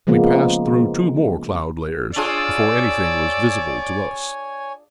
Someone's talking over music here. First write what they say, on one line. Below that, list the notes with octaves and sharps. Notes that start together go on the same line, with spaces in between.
We passed through two more cloud layers before anything was visible to us.
C#3 F3 G#3 A#3 B3
D4 F4 G#4 C#5 D5 G#5 E6